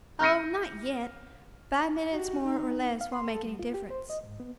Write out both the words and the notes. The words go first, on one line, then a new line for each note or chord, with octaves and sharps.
"Oh, not yet, five minutes more or less won't make any difference."
F6 G6 A#6 C#7 D#7
F#4 G4
D#4
F5
C6
A4
G3
F4
G4
C5
D#5
G#2
B3